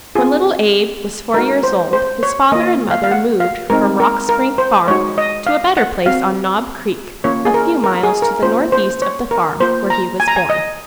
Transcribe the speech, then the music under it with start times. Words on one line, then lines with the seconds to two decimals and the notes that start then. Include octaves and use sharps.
When little Abe was four years old his father and mother moved from Rock Spring Farm to a better place on Knob Creek, a few miles to the northeast of the farm where he was born.
0.15 C4 F4 G#4
1.34 G#3 D#4 F#4 A#4
1.63 C5
1.93 C5
2.23 C#5
2.52 A#3 F4 D#5
2.91 F5
3.04 F5
3.11 F#5
3.40 F5
3.70 G#3 C4 D#4 A#4
4.00 A#4
4.29 A#4
4.58 C5
4.88 G#3 D#4 F#4 C#5
5.18 D#5
5.47 F5
5.77 F#5
6.06 C4 F#4 F5
7.24 A#3 C#4 F4 C#5
7.45 G#4
7.54 A#4
7.84 A#4
8.03 G#4
8.22 A#4
8.42 A#3 C#4 F4 C5
8.72 C5
9.02 C#5
9.31 A#4
9.60 A#3 F4 C5
9.90 A#5
10.20 G#5
10.28 A#5
10.36 G#5
10.50 D#5